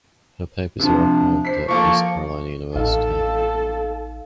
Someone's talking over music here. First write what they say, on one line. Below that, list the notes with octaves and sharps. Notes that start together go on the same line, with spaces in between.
Her papers are archived at East Carolina University.
C3 F3 D4
C5 B6 C7
F3 A#3 A4 C#6
A1 D#4 A4 F5